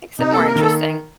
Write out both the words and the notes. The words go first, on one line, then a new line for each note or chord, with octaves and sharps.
makes it more interesting.
C3 D#4
A4
A#3
A#4
D#3 A4